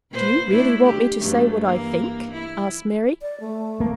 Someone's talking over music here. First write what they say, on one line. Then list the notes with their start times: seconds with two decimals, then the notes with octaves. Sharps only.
"Do you really want me to say what I think?" asked Mary.
0.12 A#2 B4 C5
0.50 A3 D4 E4
0.86 G4
1.18 G2 F#3 A3
1.64 E3 A#3
2.32 E4
3.22 D5
3.40 A3
3.80 A#3